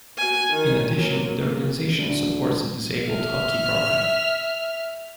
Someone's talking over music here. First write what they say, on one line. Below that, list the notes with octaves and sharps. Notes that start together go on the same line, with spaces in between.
In addition, the organization supports a disabled hockey program.
F#4 G#5
D#3 G#5
F#3 A#3
A#3
D2
E5 F6